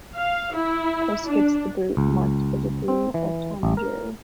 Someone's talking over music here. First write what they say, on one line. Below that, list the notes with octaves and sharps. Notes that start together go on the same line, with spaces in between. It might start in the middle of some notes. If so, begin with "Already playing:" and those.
"Puss Gets the Boot" marked the debut of Tom and Jerry.
F5
E4
D4
C#2
C4
E3
A1
A#4